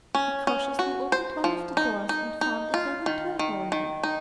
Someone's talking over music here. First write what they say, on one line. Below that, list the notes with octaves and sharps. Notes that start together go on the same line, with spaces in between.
He cautiously opened one of the doors and found it led into a hallway.
C#4
C#4
F#4
C5
F3
D#4
D#4
D#4
F4
D#3
D#3
D#3
D#4